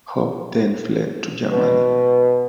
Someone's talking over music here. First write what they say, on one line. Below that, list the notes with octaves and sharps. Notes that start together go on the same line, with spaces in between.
Hopp then fled to Germany.
B2